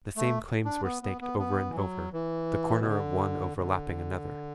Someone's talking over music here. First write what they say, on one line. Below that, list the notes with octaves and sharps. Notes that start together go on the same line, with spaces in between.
The same claims were staked over and over, the corner of one overlapping another.
A3
D4
B3
B3
B3
B3
E3
F#3
E3
B2
D3
B2
D3